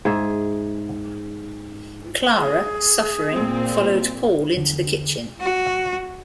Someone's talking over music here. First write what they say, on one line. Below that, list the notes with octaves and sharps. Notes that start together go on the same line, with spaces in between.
Clara, suffering, followed Paul into the kitchen.
G#2 G#4 E5
G#4
A#2 C4
E2 D3
F#4